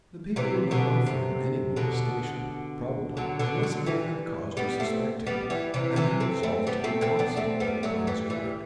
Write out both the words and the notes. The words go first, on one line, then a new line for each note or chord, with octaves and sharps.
The people would not offer him any molestation, probably, unless he gave them cause to suspect him, and he resolved to be constantly upon his guard.
C3 E3
B2 D3
C3
B2 D3
D3 F#3
B2 D3
D3 F#3
E3 G3
G3 B3
A3 C4
G3 B3
E3 G3
C3 E3
C3 E3
A3 C4
A3 C4
G3 B3
A3 C4
A3 C4
B3 D4
A3 C4
G3 B3
F#3 A3
E3 G3
E3 G3